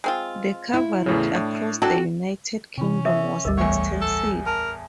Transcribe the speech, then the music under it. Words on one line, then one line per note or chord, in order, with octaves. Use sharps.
The coverage across the United Kingdom was extensive.
G#3 C4 F4
E4
E2 A2 C#3
A2 D4
F#3 D4 F#4 A4 G5
C3 E3 C#4
A#4 E5 D#6
G#1 D2 G3 A#4 D#5
E2 A2 C#5
A4
A#4 A5